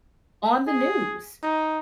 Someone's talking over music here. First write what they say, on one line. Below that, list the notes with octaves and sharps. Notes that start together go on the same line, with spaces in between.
on the news.
G#4
D#4